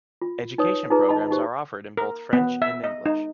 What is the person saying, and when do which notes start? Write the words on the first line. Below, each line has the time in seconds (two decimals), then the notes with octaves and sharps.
Education programs are offered in both French and English.
0.22 F4
0.58 D#4 B4 C#5 D#6
0.90 D#4 F4 G#4 B4 A#5
1.09 D#4 D#5 A5 B5
1.30 D#4 G4 C5
1.97 A#4
2.33 B3
2.62 E5
2.84 D#5
3.06 D#4